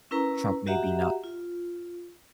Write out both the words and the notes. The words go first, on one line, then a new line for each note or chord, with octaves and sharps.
Trump may be not
C#4 E4 A#4 B4 A#5 C#6
F#4 G4 D#5 E5 F#5 A#5
F4